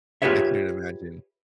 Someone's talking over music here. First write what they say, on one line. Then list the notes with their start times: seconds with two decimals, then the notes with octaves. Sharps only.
I couldn't imagine.
0.22 F4 G4 G#4 B4 C#5 E5